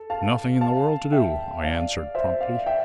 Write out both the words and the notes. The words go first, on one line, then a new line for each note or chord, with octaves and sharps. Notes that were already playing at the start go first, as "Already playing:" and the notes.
"Nothing in the world to do!" I answered promptly.
Already playing: A4
F5 A5
F5 A5
E5 G5
D5 F5
C5 E5
D5 F5
E5 G5